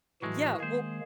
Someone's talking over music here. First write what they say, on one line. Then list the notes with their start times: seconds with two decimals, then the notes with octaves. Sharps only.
Yeah, well
0.22 A2 E3 F#3 G#3 A3 F#4
0.60 D#3 G#3 A#3 G#4 C5